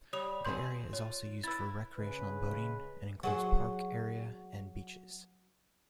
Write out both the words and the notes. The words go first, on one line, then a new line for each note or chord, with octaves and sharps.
The area is also used for recreational boating and includes park area and beaches.
G3 C#5 D#6 F7
B2 C4 G#5 C6 G6
F4 C#5
E4 B4 E6 A6
C#3 G#3 B4
F#3 G#4 C5